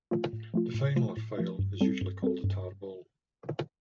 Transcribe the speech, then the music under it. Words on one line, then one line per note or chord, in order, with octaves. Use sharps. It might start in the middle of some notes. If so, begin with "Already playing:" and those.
The final or file is usually called a tarball.
F3 A3 F4
A2
F3 A3 F4
A2
F3 A3 F4
A2
F3 A3 F4
G2
G3 C4 A4
G2
G3 C4 A4
G2